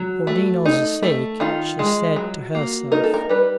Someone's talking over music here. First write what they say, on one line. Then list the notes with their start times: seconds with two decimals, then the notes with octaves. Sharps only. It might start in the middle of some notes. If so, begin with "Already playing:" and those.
"For Dino's sake," she said to herself.
Already playing: F#3
0.27 A3
0.66 D#4
1.03 A3
1.40 D#3 F4
1.79 G#3
2.16 F#3
2.55 A#3
2.92 D#4 A#4
3.04 A4
3.14 A#4
3.29 G3 B4